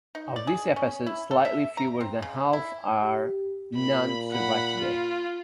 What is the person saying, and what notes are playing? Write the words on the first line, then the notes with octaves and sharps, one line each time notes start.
Of these episodes, slightly fewer than half are known to survive today.
D#4
D5
G#4
C#4
E4
A4
E5
A#5
C4
C#3
E4
G4
A#2 B5
F#5 B5
F4